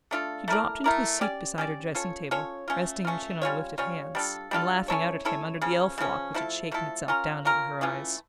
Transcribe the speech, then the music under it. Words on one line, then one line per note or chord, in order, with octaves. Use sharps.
She dropped into a seat beside her dressing-table, resting her chin on her lifted hands, and laughing out at him under the elf-lock which had shaken itself down over her eyes.
A3 D4 F4 A4
A3 E4 A#4 D5
A3 E4 A#4 D5
C#4 G4 D5
C#4 G4 D5
C#4 F4 A4 C#5
C#4 F4 A4 C#5
A3 C#4 F4
A3 C#4 F4
G3 C#4 F4 C#5
G3 C#4 F4 C#5
G3 D4 F4 A4
G3 D4 F4 A4
C#4 E4 A4 C#5
C#4 E4 A4 C#5
C#3 F3 C#4
C#3 F3 C#4
F3 A3 E4 A4
F3 A3 E4 A4
C#4 F4 A#4
C#4 F4 A#4
E3 A3 C#4 F4